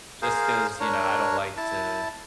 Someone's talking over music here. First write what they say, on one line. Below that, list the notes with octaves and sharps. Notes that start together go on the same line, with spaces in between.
just 'cause, you know, I don't like to
G#4 A#4 C5 F5
D4 A#4 C#5
E4 A5